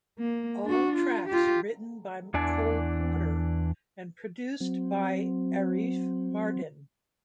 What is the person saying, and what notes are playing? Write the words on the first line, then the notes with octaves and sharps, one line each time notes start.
All tracks written by Cole Porter and produced by Arif Mardin.
A#3
D4 F#4
F4
F4 G4
E2 E3 D4 D5 G#5
F#3 C4